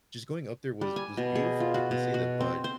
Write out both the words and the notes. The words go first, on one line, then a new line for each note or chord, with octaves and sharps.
just going up there was was beautiful. I can say that, but
G3
G#5
B2
G#4
F4
F#4
B2
F#4
C4
C5